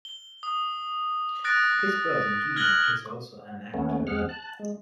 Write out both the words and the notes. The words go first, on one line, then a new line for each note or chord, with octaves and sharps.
His brother Gene is also an actor.
G7
D#6
D#6 F#6 A6 A#6 D7
F6 F#6 G#6 A#6 F#7 G7
D#2 A3 B3 C#4
E2 G#3 C4 G#4 F#5 F6
A5 F#6
G#3